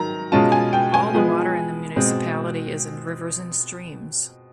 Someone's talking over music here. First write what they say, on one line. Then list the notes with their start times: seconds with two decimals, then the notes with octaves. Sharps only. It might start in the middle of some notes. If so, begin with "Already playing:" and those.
All the water in the municipality is in rivers and streams.
Already playing: D#3 F#3 A#5
0.32 B2 G#3 C#4 F4 A5
0.52 G#5
0.73 G5
0.94 G#5
1.14 F3 G#3 B3
1.96 B2 G#3 C4